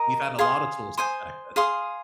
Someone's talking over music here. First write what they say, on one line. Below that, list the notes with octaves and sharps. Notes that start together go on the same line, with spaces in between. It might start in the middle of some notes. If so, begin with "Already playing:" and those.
we've had a lot of tools since back then."
Already playing: A#4 D#5 A#5
G#4 F5 C6 D#6
C5 G#5 C6 D#6
G#4 F5 C6 D#6